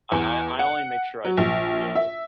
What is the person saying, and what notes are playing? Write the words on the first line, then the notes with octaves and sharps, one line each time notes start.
I I I only make sure I do it in real,
E2
F#5
F#3
A#1
E5